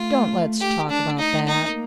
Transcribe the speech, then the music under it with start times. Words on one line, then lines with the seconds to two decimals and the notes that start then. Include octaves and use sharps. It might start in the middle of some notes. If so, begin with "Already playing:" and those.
Don't let's talk about that.
Already playing: A3 F4
0.61 G4
0.90 D4
1.19 D#4
1.47 A#3 D#4